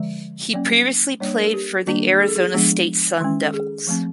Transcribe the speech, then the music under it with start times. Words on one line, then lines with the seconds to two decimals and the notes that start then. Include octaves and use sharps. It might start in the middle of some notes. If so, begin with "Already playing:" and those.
He previously played for the Arizona State Sun Devils.
Already playing: D3 F3 G#3 D5
0.53 F#3 A#3 C#4 D5
1.20 G3 A#3 D4 C#5
1.37 A#4
1.45 A4
1.54 G4
1.87 D#3 G3 A#3 D4
2.20 G#4
2.29 A4
2.36 G#4
2.54 F3 G#3 B3 D4
3.20 D#3 G#3 C#4
3.43 A4
3.54 G#4
3.87 F3 A3 C4